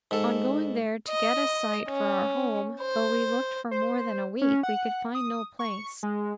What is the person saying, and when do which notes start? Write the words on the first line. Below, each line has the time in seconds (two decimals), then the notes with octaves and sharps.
On going there to get a site for our home, though we looked for more than a week, we could find no place.
0.11 G#2 A4
1.09 D#5
1.89 C#4
2.80 C5
3.71 C5
4.42 C#4
4.63 F#5
5.15 D#6
5.59 C#6
6.03 G#3